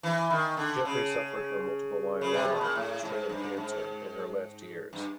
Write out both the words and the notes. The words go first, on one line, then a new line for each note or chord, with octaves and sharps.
Jeffries suffered from multiple myeloma, a strain of cancer, in her last years.
E3
D#3
D3
C#3
C#3
C3
B2
A#2
A2
G#2
G2
G#2
G2